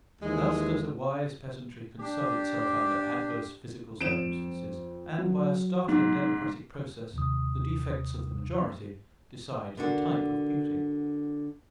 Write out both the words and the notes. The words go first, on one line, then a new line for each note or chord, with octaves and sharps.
Thus does a wise peasantry console itself under adverse physical circumstances, and, by a startling democratic process, the defects of the majority decide the type of beauty.
D#2 E3 G#3
D4 G4
F2 D7 E7
F#3
G#2
D#2 C3 D#6
D3 A#3 D4 F#4